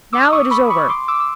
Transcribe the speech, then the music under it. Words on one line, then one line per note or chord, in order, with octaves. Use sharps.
Now, it is over!
D6 E6
C#6 D#6
B5 C#6
B5 C#6
C6 D6
D6 E6
E6